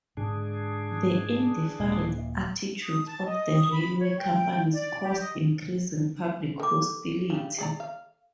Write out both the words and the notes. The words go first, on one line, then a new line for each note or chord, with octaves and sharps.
The indifferent attitudes of the railway companies caused increasing public hostility.
G#2 D3 D4 G#4
D#1 A#2
D#6
A5
D#5
D#6
B5
C#5
G5
D5
G4
D#5
D#3 A4 D6
C#3 G3
G#4 D5 A#5
F5